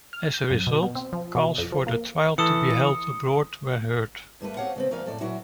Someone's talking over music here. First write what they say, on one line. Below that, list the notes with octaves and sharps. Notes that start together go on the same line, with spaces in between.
As a result, calls for the trial to be held abroad were heard.
F6
G6
F#2
B2
B2
C4
F3
B2
F2
F3
A#3
E3 A4 D#6 C#7
G2 A3 A#3 B4
C4 G4 C#5 F5 F#5
C#3 B3 C4
D2 F3 A#4 D5 F5
F2 A2 A4 D5
A#2 F#3 D4 E4 F#4